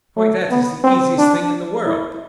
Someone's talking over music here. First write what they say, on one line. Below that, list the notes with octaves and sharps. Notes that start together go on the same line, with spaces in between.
Why, that is the easiest thing in the world.'
A3
B3
C4
D4
E4